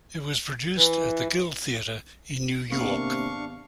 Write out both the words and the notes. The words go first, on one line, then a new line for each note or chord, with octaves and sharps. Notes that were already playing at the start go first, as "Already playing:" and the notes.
It was produced at the Guild Theatre in New York.
E3
G#1 C3 A#3 B3 D4 F5 C#6